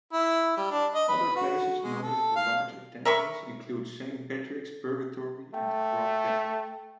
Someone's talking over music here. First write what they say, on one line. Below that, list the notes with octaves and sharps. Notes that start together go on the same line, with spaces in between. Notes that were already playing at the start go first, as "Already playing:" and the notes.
Other places noted for large attendance include Saint Patrick's Purgatory and Croagh Patrick.
E4
G3
D4
D#5
B4
F#4
G#3
A4
F5
A#4 E5 B5 C#6
A3 G5